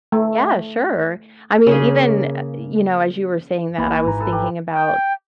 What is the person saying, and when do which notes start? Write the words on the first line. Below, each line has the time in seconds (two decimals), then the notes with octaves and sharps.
Yeah, sure. I mean, even, u uh, you know, as you were saying that I was thinking about
0.12 A3
1.67 C#3 A#3 G#4
3.78 B1 E3 A#3 B5
3.91 B4
4.04 G#1 G#2 A#5
4.20 A4 B4
4.32 G4
4.73 G5